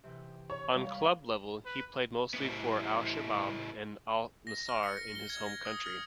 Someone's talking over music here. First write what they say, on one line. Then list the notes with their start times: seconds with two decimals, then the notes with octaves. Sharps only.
On club level, he played mostly for Al-Shabab and Al-Nasr in his home country.
0.04 C3 E3
0.50 C#5 A#5
0.75 G3 F5 A#5
0.91 G#2 A#4 B5
1.65 B4
2.34 A2 B3
4.47 A#6
4.69 F6
4.83 C#7
4.97 A#6
5.15 G7
5.30 G#6
5.46 A#6
5.65 D#6
5.86 F6